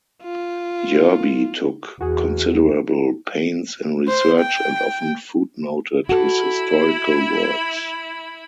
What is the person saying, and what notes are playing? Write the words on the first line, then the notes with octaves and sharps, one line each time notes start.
Yerby took considerable pains in research and often footnoted his historical works.
F4
E2 F#4 G#4
C5
G5
E4 F#4 A4 B5